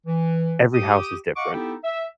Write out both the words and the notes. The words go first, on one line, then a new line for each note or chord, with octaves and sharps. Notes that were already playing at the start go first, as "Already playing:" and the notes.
every house is different,
E3
G4 D#6
D#5 F5 F#5 C#6 D6
B3 D#4 E4 G4 A4 G5
E5